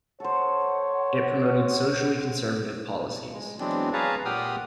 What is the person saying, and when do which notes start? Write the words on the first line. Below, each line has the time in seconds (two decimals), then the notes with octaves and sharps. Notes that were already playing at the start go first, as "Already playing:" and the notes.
It promoted socially conservative policies.
0.20 A4 C5 C#5 F#5
3.33 G#3
3.60 E3 F#3 G#3 B3 C4 D4
3.93 G#4 B4 C#5 F5 A5 A#5
4.25 A#2 G4 F#5 G5 D#6 F6